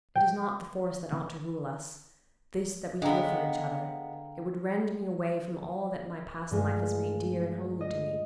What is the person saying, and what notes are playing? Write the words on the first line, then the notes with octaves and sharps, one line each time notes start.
It is not the force that ought to rule us,--this that we feel for each other; it would rend me away from all that my past life has made dear and holy to me.
G5
D3 G#3 B3 F5 G5 A#5
G2 G#3 A3 F4
D#5